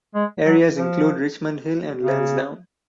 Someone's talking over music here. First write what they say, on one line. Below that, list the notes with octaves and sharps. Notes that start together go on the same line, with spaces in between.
Areas include Richmond Hill and Lansdowne.
G#3
F#3
F3
C#3